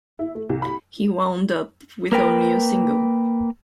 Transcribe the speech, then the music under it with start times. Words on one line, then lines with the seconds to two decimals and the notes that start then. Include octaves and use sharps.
He wound up with only a single.
0.19 E4
0.35 A3
0.49 C2
0.62 B5
2.12 A#3 A#4 B4 G5